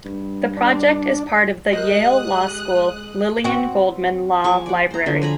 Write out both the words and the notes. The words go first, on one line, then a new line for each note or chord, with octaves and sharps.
The project is part of the Yale Law School Lillian Goldman Law Library.
G2
D4
G#3 G4 A#4 C5 D#5 D#6 F#6
C4 F#4
F3 G#4 C#6 D6
D5 F#5
C5 A#5
D3 F3 F#3
G#4 A#5 B5